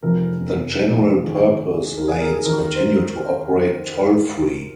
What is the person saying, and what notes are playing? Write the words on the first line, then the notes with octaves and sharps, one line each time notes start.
The general purpose lanes continue to operate toll-free.
F1 F2 F3 A#4
F4
G#1 G#2 D#3 G#4
G#4
A#4
G#4
A#4
G#4
D#2 D#3 A#4
C5